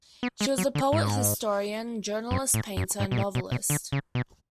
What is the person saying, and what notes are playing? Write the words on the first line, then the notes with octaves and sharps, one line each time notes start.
She was a poet, historian, journalist, painter and novelist.
B3
G#3
F#3
D3
G#2
F#2
A2
F#2
G#2
B2
A2
B2
B2
D3
C#3
B2